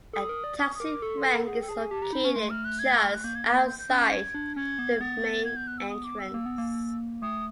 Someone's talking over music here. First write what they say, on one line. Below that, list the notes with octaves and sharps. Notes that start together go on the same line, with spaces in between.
A taxi rank is located just outside the main entrance.
A4 D#6
A#4
D5
D#6
D#6
A#4 D6
A4 C#6
C6
A4
F#5
G#4 F#5
A4 G5
G#4 A5
G#5
G4 A5
G4 A#5
D#4 B5
C#4 C#6
A3 C6
F6
F#6
G#6
E6
F6
F#6
A#3 G6
G#6
A#3 A6
G#6
G6
G6
C#4 F#6
G6
G#6
D4
C#4 G#6
B3
B3 A6
G#6
G6
F#6
E6
D#6
D6
E6
A#3
B3
A#3
A3 D#6